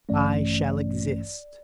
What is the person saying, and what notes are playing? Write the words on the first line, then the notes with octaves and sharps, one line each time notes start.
I shall exist.
A1 G2 E3 A3 C#4 D5